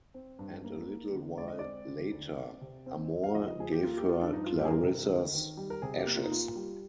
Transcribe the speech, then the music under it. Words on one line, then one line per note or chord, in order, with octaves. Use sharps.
And a little while later, Amor gave her Clarissa's ashes.
C4
G2
A#3
A#3
D3
G#3 D5
D#5
C4 D5
D3
D2
C4
C3
C4
C4
F5
F2 D#5
D#5
F3 G#4
G4
A#3 F4
G4
F3 F4
D4
G2 D#4
F4
G2 G4
G#4
A#4
C3
D2
D#3
G3
A#4
C3 G#4
G4
A#3
F4
D#4
A#3 F4
G3